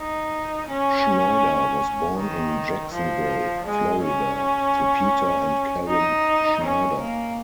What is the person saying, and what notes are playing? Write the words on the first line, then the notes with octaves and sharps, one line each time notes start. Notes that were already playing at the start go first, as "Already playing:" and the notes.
Schneider was born in Jacksonville, Florida to Peter and Karen Schneider.
Already playing: D#4
C#4
D#3
F3
G#3
C#4
D#4
C#4
A#3